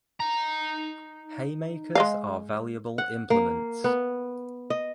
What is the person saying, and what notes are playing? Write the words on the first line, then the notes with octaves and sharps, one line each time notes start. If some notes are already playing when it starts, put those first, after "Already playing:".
Haymakers are valuable implements.
D#4 A#5
G#3 D#5 F5
F#5
A#3
B3
D#5